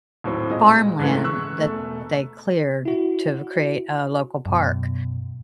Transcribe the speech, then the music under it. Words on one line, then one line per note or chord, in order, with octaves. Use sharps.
farmland that they cleared to create a local park.
D#2 A2 F#3 C4
A#2 G#3 D#5
G#2 C#3 E3 G#3 A3
C#6 E6 F#6
E1 A3
E4 F#4
F#2 B2